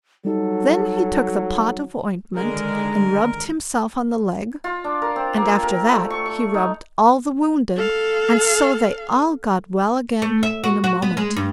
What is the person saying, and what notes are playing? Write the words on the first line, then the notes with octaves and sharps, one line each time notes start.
Then he took the pot of ointment and rubbed himself on the leg, and after that he rubbed all the wounded, and so they all got well again in a moment.
F#3 G3 D#4 A4
D3 D#3 G#3 A#4
F4
D4
A#4
C4
A#3
A#4
A3
C#6
C#6
D#4
A4 F5
A3
E5
F#4
F#4
B3
G#3
G2